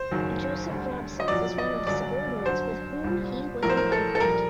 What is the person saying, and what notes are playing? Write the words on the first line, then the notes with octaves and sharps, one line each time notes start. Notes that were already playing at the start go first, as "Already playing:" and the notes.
Joseph Robson was one of the subordinates with whom he was in conflict.
Already playing: C5
F#1 F#2 D#3 F#3
D2 D3 G3
D#5
A#1 A#2 F#3 D5
D#5
G1 F#2 F#3 D5
F#2 D3 F#3 C5
C2 A#2 G3
A#1 A2 F#3 A3 A#4
C5
A#4
A4
A4
A#1 A#2 G3 A#4